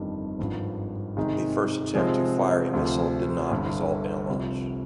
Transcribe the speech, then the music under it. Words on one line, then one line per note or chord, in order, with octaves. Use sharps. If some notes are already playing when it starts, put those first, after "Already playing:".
The first attempt to fire a missile did not result in a launch.
Already playing: G1 F2 D#3 G3 D4
G#1 G2 F3
C3 D#3 G#3 D#4
C3 F3 G#3 C4
D2 C3 F3
G1 G2 D3
C2 C3 F3